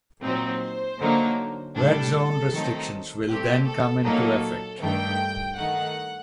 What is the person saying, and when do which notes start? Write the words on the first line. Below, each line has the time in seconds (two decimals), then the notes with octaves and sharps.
Red zone restrictions will then come into effect.
0.23 A#2 F#3 C4 D#4 C5
0.99 D3 F#3 A#3 D#4
1.76 A2 G3 D4 A4
2.52 D#3 F#3 A3 C4 D#4
3.28 A#2 A3 C4 G4
3.66 A4
4.04 A#2 F#3 A#3 D#4 A4
4.81 G2 D#3 A3 G5
5.57 D#3 A3 D#4 F#5